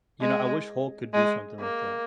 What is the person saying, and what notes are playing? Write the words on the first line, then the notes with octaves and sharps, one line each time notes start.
You know, I wish Hulk could do something like that.
G#3
G#3
A#3